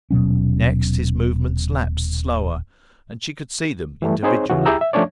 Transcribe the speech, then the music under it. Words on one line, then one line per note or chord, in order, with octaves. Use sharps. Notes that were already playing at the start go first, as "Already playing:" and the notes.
Next, his movements lapsed slower, and she could see them individually.
D#1 B2 F#3 C#4
E3 G3 A3
C4 D#4 G#4 C5 C#5
C#3 E3 C#4 F#4
E4 G4 G#4 G5 A#5 E6
E5
F3 A3 C#4 D4 C#5 D5